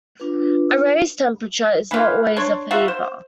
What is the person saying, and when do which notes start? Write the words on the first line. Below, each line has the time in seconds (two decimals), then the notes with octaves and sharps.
A raised temperature is not always a fever.
0.20 D4 F4 B4
1.91 E3 E4 F4
2.37 D4 C#5 C6
2.71 F4 F#4 A#4 E5
2.88 C5